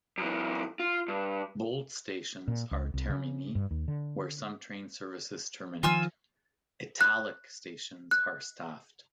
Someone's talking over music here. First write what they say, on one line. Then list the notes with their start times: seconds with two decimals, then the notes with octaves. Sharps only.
Bold stations are termini, where some train services terminate; "italic" stations are staffed.
0.18 F#2 E3
0.80 F4
1.08 G2
2.48 A#2
2.71 C#2
2.94 C2
3.09 C#3
3.55 G2
3.71 D#2
3.88 D3
5.83 D#3 F3 F4 G#5 E6
7.01 F#6
8.11 F#6